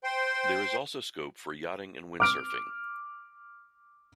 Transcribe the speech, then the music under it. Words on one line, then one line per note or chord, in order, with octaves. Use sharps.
There is also scope for yachting and windsurfing.
C5 G5 C6
D6 F6 D7